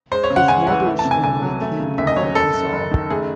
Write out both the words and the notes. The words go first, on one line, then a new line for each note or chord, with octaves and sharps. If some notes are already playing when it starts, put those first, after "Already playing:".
His mother's family came from Arkansas.
G#3 C5
C#5
C#3
F#5
C#2 G#5
E3 F#5
A3
A5
C3
G#5
C2 G#5
F#3
A3
C#3
D#2 E5
D#5
F#3 C#5
F#1 A4
F#2
F#1
D#3
A3 G#4